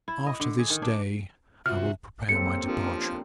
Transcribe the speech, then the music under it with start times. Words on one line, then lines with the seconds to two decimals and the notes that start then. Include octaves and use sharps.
After this day I will prepare my departure.
0.08 E4
0.26 D#5
0.40 D3
0.59 G#4
0.70 D#3
0.82 D4
1.66 C3 F4 F#4 E5 F6
2.29 A#3 C4 C#4 G4 A4 C#7
2.66 F3 D4 G4 A#4